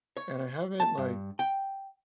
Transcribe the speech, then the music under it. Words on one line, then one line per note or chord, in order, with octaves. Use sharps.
and I haven't, like,
C#5
A5
G2
G5